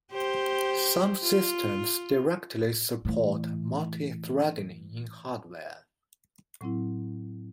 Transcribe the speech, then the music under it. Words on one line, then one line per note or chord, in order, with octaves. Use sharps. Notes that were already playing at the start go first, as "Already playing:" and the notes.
Some systems directly support multithreading in hardware.
G4 C5
F4
A2 E3
A2 F#3 C4 E4